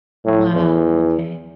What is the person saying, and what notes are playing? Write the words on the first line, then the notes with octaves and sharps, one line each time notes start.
Wow, okay.
A2
E2